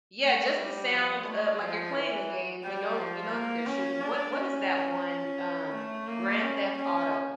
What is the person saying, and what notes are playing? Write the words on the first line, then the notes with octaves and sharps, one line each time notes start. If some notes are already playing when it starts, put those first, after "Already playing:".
Yeah, just the sound, uh like, you're playing a game, you know you know that they're shooting, what what is that one, um, G grand Theft Auto?
A3
G3
F3
A3
F3
E3
G3
F3
A#3
C#4
D4
C#4
A3
A#3
C#4
C#4